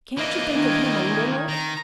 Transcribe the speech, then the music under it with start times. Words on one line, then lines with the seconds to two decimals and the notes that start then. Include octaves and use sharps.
Can't you think of him a little?
0.17 E3 A#3 D5 D#5
0.55 D#3 D4 G#6
1.48 D#3 A#5